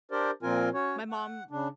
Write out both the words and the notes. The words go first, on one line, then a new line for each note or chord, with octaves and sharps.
my mom
D4 G4 A#4 C5 D5
A#2 F3 C4 F4 A#4 G#5
C#4 F#4 C#5
F#5
C#3 D4